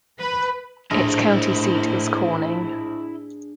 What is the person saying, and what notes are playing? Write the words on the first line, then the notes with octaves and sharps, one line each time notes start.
Its county seat is Corning.
B4
A#1 A2 A#3 D4 E4 G#4 C5 D#5